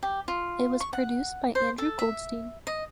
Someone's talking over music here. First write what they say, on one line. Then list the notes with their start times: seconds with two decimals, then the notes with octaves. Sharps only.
It was produced by Andrew Goldstein.
0.03 G4
0.28 F4
0.80 C#6
0.93 F#5
1.55 C5
1.78 A4
1.99 E5
2.67 D#5